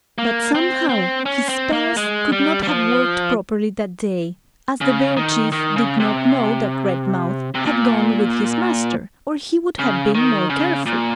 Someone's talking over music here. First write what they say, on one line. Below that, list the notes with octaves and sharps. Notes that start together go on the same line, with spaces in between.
But somehow his spells could not have worked properly that day, as the bear chief did not know that Redmouth had gone with his master, or he would have been more careful.
A#3
C4
C4
C#4
C4
A#3
G#3
G3
G3
F3
C#3
D#3
D#3
C#3
C3
C3
A#2
C#3
D#3
C#3
A#2